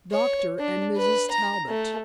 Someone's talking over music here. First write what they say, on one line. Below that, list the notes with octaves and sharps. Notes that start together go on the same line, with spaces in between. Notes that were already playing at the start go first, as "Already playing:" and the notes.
"Dr. and Mrs. Talbot."
C#5
D4
B4
A#5
A3